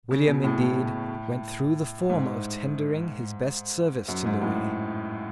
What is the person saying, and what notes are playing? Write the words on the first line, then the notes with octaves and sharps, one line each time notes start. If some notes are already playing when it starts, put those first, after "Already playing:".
William, indeed, went through the form of tendering his best services to Lewis.
C#3
B2
A2
A2
G#2
F#2
G#2
A2